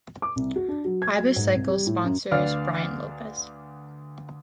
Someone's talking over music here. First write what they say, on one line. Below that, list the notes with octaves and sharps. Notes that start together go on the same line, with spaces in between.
Ibis Cycles sponsors Brian Lopes.
D6
C2
F#4
D4
F#3
G#6
F#3
G#2
C2
G3
A2
F#2
D2 D4 B4 D5 F5 F6